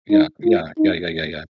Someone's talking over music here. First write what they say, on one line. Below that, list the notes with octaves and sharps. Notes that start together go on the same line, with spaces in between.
yeah, yeah, yeah, yeah, yeah, yeah.
D#4
F4
D#4